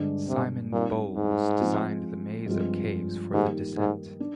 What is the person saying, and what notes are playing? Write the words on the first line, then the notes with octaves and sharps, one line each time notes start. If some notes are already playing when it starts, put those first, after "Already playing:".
Simon Bowles designed the maze of caves for "The Descent".
Already playing: G2 D3 G#3 D4
C3
A#2 G3 C4 D#4
G#2
F3 G#3 C4 F4 G#4
G2 F3 G#3 C4 F4
G#2 D#3 G3 A#3 D#4 G4
G#2
D4